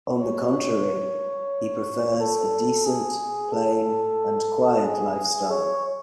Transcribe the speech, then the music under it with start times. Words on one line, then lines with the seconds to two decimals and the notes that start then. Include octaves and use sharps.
On the contrary, he prefers a decent, plain and quiet lifestyle.
0.21 C#5
2.19 A4
2.86 G#4
3.52 A4
4.84 G#4
5.51 C#5